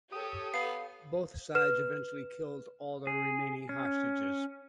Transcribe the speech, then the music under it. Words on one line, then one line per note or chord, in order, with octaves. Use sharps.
Both sides eventually killed all their remaining hostages.
G4 A4 C#5 D#6
B3 F5
B4 F6 E7
G#4
C#4